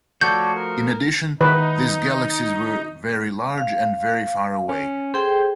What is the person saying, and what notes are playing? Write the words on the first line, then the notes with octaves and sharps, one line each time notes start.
In addition, these galaxies were very large and very far away.
F3 A3 F#4 A4 C#5 D5 G6
A#4
D#3 D#4 B4
F5
C#4
G#4 A4 C5 G5